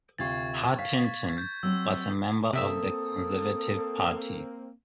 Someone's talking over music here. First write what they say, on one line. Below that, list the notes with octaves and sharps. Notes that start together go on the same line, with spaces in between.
Hartington was a member of the Conservative Party.
D2 C3 F4 C#6 G#6 A6
F5 B6
G6
F#3 C4 E6
C3 A#3 C4 A4 E5 D#6 E6